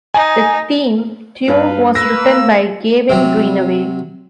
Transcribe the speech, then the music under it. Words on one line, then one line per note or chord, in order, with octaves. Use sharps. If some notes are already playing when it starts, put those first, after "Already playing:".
The theme tune was written by Gavin Greenaway.
D#4 G#5
G2 B4 F5
A#3 B4 E6 A#6
C3 F#3